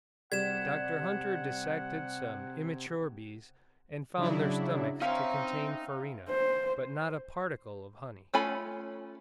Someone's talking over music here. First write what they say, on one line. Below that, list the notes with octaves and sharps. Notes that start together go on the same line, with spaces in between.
Dr. Hunter dissected some immature bees, and found their stomachs to contain farina, but not a particle of honey.
C3 G3 F#5 G#6 E7
C#3 F#3 D4 E4
C4 C#4 D#4 E4 A#4 F5 A#5
C5
A3 C#4 F4 G#5 B5